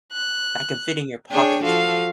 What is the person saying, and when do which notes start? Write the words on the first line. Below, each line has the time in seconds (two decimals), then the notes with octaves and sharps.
that can fit in your pocket.
0.13 F#6
1.31 D4 G#4 C#5 G5
1.64 F3 F#4 A4 F5